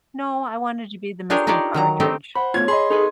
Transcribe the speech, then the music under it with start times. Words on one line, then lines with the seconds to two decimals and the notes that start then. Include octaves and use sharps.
No, I wanted to be the missing Partridge.
1.30 D4 F4 G4 G#4 A#4 C#5
1.47 D4 D#4 F4 G4 C#5 D5
1.74 D#3 F#3 A#5
2.00 A3 C4 D#4 G4
2.35 C5 F#5 B5
2.54 A3 B3 F4 C#5 G#6
2.68 G#4 D#5 B5 C6
2.90 D#4 G#4 A4 B4